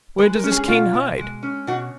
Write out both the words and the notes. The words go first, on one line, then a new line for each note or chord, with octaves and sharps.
Where does this Kane hide?
G#3 B4
A#4
C#4
G#4
B2 F4
B2
G#3
C#4
B2 F#4